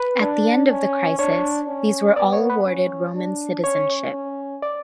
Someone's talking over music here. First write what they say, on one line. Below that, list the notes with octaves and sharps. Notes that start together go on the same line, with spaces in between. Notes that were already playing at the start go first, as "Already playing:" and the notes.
At the end of the crisis, these were all awarded Roman citizenship.
Already playing: B4
D4
C#4
D4 C#5
C#4
B3 D5
C#5
B4
C#4
D4
C#4 C#5
C#4
D5